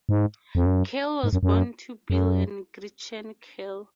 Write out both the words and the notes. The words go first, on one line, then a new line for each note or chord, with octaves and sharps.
Curl was born to Bill and Gretchen Curl.
G#2
F2
F#2
G#2
F#2
F#2
F#2